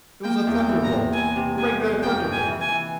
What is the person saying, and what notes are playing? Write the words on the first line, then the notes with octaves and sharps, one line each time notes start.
It was a thunderbolt, a regular thunderbolt!
A#3 G5
E2
G5
E3
A#5
C3
E3 G#5
C3
E2 G#5
E2
F2 G5
F2
G#5
E3
G#5
E3